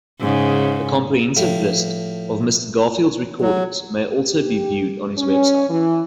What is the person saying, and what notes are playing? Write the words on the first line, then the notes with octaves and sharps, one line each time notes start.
A comprehensive list of Mr. Garfield's recordings may also be viewed on his website.
G#2 C#3
A2 F3
F#3
G4
C#4
E3